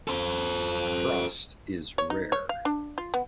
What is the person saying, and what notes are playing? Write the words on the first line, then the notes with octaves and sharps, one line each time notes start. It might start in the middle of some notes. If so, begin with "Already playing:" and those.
Frost is rare.
A4 C5
C#5
D#4
C#5
F5
D4
F4
B3